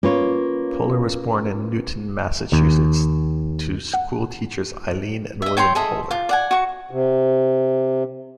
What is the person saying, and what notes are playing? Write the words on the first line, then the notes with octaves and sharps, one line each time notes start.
Poehler was born in Newton, Massachusetts, to school teachers Eileen and William Poehler.
A#3 C#4 F4 B4 C#5
D#2
F#5
D#5 E5
C#5 G5 A#5 C6
G#4 A4 D#5 E5
F4 D6
D5 F#5 G#5
F#4 C#6
C3